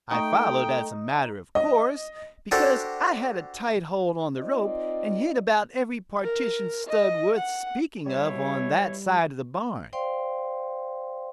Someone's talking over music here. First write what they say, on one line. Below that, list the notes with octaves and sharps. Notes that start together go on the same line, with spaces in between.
I followed, as a matter of course, because I had a tight hold on the rope, and hit about every partition-stud worth speaking of on that side of the barn.
A3 D#4 G5 C#6
D#5
D4 F#4 G4 A4 C5
C4 D#4 F4 D5 D#5
A#4
D#5
F#5
B2 E3 G3 C#5
C5 D5 F5 G5 C6